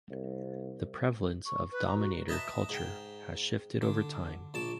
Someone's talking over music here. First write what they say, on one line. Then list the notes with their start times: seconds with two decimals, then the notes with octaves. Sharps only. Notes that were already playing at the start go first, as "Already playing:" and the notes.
The prevalence of dominator culture has shifted over time.
0.10 C2
1.45 C#6
1.71 B4
1.85 A#5
1.98 F#4
2.28 B4 D#5 E5 A5 A#5
2.69 G#2 G5
3.82 D3
4.54 A#1 A5 D6